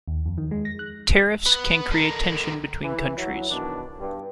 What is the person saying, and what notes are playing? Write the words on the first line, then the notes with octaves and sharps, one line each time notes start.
Tariffs can create tension between countries.
D#2
F2
D#3
G#3
A#6
F#6
B3
D3 A#4
E3
F#3 E4
B2 D#3 E3 D4
G2